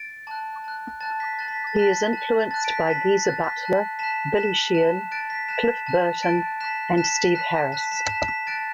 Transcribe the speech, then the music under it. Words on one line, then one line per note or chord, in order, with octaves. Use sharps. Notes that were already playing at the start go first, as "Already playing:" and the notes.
He is influenced by Geezer Butler, Billy Sheehan, Cliff Burton, and Steve Harris.
Already playing: A6 D7
A5 F#6
A5 F#6
A5 F#6 A6
B6
A5 F#6 A6
B6
A6
A5 F#6 B6
A5 F#6
A5 F#6 A6
D7
B6
A5 F#6 B6
B6
A5 F#6 A6
B6
A5 F#6
A5 F#6 B6 E7
A5 F#6 B6 E7
A5 F#6
A5 F#6 A6 D7
B6
A5 F#6 B6 E7
A5 F#6
A5 F#6 A6 D7
A5 F#6 B6 E7
A5 F#6 B6 E7
B6
A5 F#6 B6
A5 F#6 B6
B6 E7
A5 F#6 B6 E7
B6
A5 F#6 A6 D7